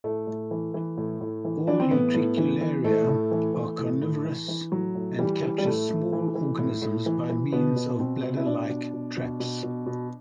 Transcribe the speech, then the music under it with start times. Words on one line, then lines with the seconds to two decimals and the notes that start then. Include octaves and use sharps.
All "Utricularia" are carnivorous and capture small organisms by means of bladder-like traps.
0.04 A2 A3
0.27 A2
0.51 E3
0.74 E3
0.97 A2
1.21 A2
1.45 E3
1.67 E3 D4
1.80 C4
1.91 A2 B3
2.14 A2
2.37 E3
2.61 E3
2.84 A2 A3
3.08 A2
3.31 E3
3.54 E3
3.78 A2
4.02 A2
4.25 E3
4.48 E3
4.72 A2 F#3
4.95 A2
5.19 E3 G3
5.42 E3
5.58 G3
5.65 A2 A3
5.89 A2
6.13 E3
6.35 E3
6.59 A2
6.82 A2
7.06 E3
7.29 E3
7.52 B2 B3
7.76 B2
8.00 B2 C4
8.23 B2
8.36 E4
8.46 B2 D4
8.70 B2
8.93 B2
9.17 B2
9.40 B2
9.63 B2
9.86 B2